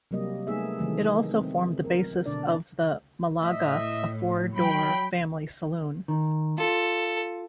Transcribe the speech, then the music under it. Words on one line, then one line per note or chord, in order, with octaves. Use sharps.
It also formed the basis of the Malaga, a four-door family saloon.
C3 F#3 G3 A#3 D#5
A3 B3 D#4 G#4 E5
C3 D#3 E3 F#3 G#3 A3
C4
A#4
B2 D3 D4 D5
A2 D#5 E5
F#3 G5 B5
D#3
F4 A4